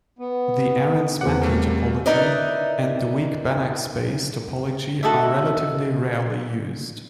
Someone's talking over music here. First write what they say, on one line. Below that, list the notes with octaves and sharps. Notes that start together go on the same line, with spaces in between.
The Arens-Mackey topology and the weak Banach space topology are relatively rarely used.
B3
E2 C4 F#5 D6
G3 A3 A#3
D#4 E4 A#4 B4 D5 D#5
F#4 A4 D#5 E5